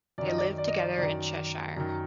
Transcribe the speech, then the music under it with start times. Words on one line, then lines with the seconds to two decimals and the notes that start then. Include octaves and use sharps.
They live together in Cheshire.
0.18 F#2 D#3 D5
0.28 D#5
0.38 D5
0.58 D5
0.68 D#5
0.78 D5
0.97 F#2 D#3 D5
1.76 F#2 D#3